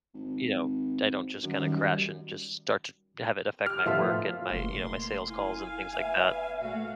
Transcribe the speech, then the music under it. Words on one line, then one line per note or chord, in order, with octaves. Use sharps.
you know, I don't just kinda crash and just start to have it affect my work, and my you know, my sales calls and things like that.
G#1
F#2 D#3 G3
G4 F6
A2 F3 B3 F4 A4 E5
F#1 B2 A3 A#3 C6
E4 F5 G#5
B3 D5 E5
A#2 A3 F#4 F5